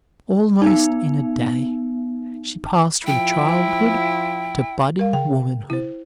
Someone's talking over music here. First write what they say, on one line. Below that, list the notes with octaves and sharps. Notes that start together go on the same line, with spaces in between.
Almost in a day she passed from childhood to budding womanhood.
B3 D#4
F3 E4 G5
A#4 F5
C#3 G5
E4 C5